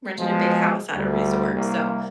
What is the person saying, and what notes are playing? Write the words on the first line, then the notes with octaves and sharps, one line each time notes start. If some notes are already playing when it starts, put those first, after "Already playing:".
rented a big house at a resort. So,
B2 F3 G#3
D2 G3
C2 A#3